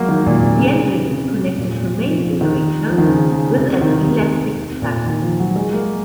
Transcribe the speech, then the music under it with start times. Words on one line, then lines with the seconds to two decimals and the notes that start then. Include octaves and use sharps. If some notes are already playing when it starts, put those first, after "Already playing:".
The engine is connected to main generator with an elastic clutch.
Already playing: F#3 G#3 A#3
0.09 D#3
0.26 A#2
0.43 C3
0.59 C#3
1.09 C3
1.58 A#2
1.83 C3
2.08 F3
2.25 F3
2.41 D#3
2.90 F3
2.98 D#3
3.07 C#3
3.32 C#3
3.58 C3
3.81 D#3
4.07 C3
4.57 C3
4.82 A#2
5.07 D#3
5.22 F3
5.40 F#3
5.56 G#3
5.73 A#3